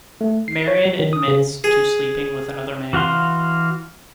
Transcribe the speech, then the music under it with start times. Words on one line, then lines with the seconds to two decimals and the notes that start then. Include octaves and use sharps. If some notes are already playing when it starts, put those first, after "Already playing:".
Marian admits to sleeping with another man.
0.21 A3
0.48 C7
0.68 C#5
0.86 F#3
0.99 D#3
1.13 D#6
1.28 C#3
1.64 G#4
2.93 E3 F#4 F5 C6